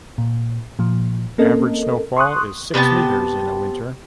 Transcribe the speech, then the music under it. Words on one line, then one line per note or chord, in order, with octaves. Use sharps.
Average snowfall is six meters in a winter.
A#2
A#2 F3
A#3 C4 C#4 A4 A#4 D#5
C6 C#6 D#6 F#6
C3 B3 G5 A5